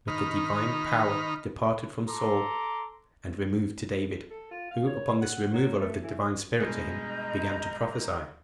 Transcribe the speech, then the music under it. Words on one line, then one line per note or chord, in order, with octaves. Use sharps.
But the Divine Power departed from Saul, and removed to David; who, upon this removal of the Divine Spirit to him, began to prophesy.
D#3 D#4 B5 F6
A4 A#5 C6 D6
A4
F4
F5
C#5
F#5
F#3
A3
E3
G2 B2 G#3 D#5 A#5 G6